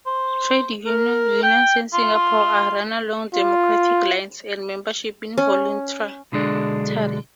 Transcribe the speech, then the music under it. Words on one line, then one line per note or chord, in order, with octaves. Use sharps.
Trade unions in Singapore are run along democratic lines, and membership is voluntary.
C5
A#4
G5
F4
F4
F4
C#4
B1 D3 G#3 D4